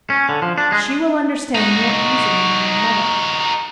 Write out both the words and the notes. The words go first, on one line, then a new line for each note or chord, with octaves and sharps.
She will understand more easily than my mother.
C#4
D3
F3
D4
G#3
D#4 F#4